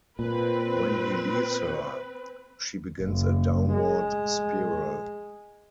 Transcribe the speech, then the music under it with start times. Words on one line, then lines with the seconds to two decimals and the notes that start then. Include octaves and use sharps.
When he leaves her, she begins a downward spiral.
0.19 A#2 C4 B4
3.01 F#1
3.73 G#3